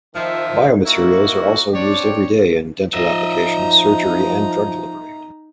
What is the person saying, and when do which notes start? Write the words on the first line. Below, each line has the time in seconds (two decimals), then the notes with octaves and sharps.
Biomaterials are also used every day in dental applications, surgery, and drug delivery.
0.15 D#3 F3 E5
0.86 A#3 D#4 E4 F#4 A#4
1.73 C4 D4 G4 C#5 D5
2.94 F3 D#4 D#5 E5 A#5